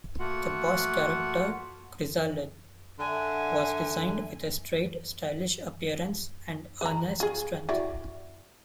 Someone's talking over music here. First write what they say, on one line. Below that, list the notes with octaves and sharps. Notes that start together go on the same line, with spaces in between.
The boss character, Krizalid, was designed with a straight, stylish appearance and earnest strength.
A3 A#3 F4 F#4 F#5
D3 E5 G#5
B4 A#5
F4 G#4
E4 F#4 D5